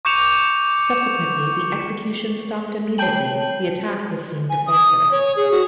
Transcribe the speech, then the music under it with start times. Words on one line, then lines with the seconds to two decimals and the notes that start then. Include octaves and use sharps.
Subsequently the executions stopped immediately the attack was seen to falter.
0.05 C#6 D6 G6 C#7 E7 F7
2.98 C#5 G5 A5 F#7
4.50 G#5
4.67 D#6
5.11 C#5
5.37 G#4
5.51 F#4